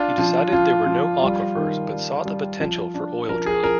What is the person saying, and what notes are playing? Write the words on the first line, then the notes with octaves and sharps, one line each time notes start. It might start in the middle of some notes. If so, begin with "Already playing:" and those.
He decided there were no aquifers but saw the potential for oil drilling.
Already playing: D4 F4
F3
F3 F4
F3
G3
D#3
G3
G3
F3
D4
F3 A#4
G#4
F3 A#4